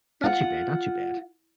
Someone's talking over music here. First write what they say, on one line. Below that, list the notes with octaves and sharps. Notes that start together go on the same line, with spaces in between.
Not too bad. Not too bad.
F4 F#5